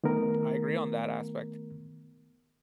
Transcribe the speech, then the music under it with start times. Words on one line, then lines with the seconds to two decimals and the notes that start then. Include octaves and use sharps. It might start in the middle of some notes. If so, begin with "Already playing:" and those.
I agree on that aspect.
0.04 D#3 A3 B3 A#4